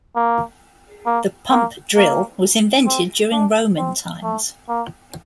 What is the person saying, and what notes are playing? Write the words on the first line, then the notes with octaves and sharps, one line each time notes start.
The pump drill was invented during Roman times.
A#3
A#3
A#3
A#3
C4
D4
C4
A3
A#3